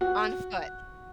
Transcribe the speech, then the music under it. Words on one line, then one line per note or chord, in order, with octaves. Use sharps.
On foot,
F#4